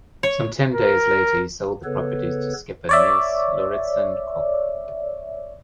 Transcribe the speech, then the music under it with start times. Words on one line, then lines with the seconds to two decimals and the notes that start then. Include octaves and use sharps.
Some ten days later he sold the property to skipper Niels Lauritzen Kock.
0.23 C#5
0.75 A#4
1.84 C#3 B3 A4 B4 C#5
2.89 C#5 D5 E5